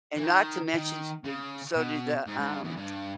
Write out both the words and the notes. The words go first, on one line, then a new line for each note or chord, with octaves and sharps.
and not to mention s the so do the, um,
E3
D#3
D#3
C#3
B2
G#2
G#2
G2
E2
G2